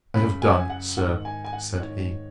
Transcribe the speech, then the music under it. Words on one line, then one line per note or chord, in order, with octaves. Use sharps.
I have done, Sir, said he.
F#2 C#3 B5
G#5
F#5
G#5
F#5
G#2 D#3 F#5
G#5
G#5
F#5
G#2 D#3 C#5